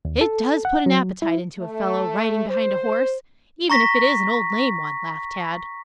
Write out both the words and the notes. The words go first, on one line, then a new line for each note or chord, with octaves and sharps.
"It does put an appetite into a fellow, riding behind a horse, even if it is an old lame one," laughed Tad.
D#2
A4
F#5
F#3
E4
A3
C5
A#5 C#6 A#6 B6